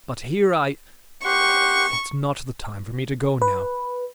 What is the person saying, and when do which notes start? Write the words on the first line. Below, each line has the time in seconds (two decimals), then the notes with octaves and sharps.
But here I ... it's not the time for me to go now....
1.25 G4 F#5 C6 C#6
3.42 B4